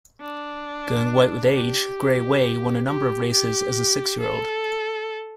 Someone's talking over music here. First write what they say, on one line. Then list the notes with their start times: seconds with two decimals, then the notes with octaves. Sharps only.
Going white with age, Grey Way won a number of races as a six-year-old.
0.21 D4
1.54 G4
2.87 G4
3.32 G4
4.21 A4